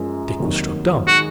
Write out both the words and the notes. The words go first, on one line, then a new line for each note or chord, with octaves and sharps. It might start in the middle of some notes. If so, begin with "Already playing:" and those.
Dick was struck dumb.
Already playing: F#2 F3 G#3
F1 D#2 D#3 F#3
D#3 G#3 D#4 F#4